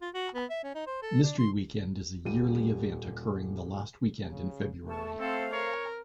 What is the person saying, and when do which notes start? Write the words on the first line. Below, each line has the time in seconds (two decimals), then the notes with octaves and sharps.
Mystery Weekend is a yearly event occurring the last weekend in February.
0.02 F4
0.14 F#4
0.34 B3
0.50 E5
0.64 C#4
0.75 D#4
0.87 C5
1.02 A4
1.23 D4
1.38 C6
2.25 D#1 G3 D#7
4.31 C#3
4.88 A3 A5 C#6
5.19 C4 A4 C5 F5
5.52 A#4 C#5